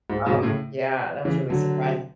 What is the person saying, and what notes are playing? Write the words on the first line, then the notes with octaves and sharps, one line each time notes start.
um, yeah, that was really surprising.
G#2
G#2 B2
A2 C#3
C#3 E3
D3 F#3